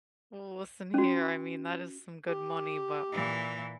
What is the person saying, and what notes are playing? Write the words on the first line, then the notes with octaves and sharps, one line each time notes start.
Well, listen here, I mean, that is some good money, but
C#4 F#4
G4
A#2 E3